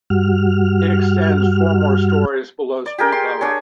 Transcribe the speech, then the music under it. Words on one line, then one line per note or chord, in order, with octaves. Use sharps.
It extends four more stories below street level.
G2 G3 F#4 F6
D5
G4 G#4 A#4 G5
C6
D4 G#4 C#5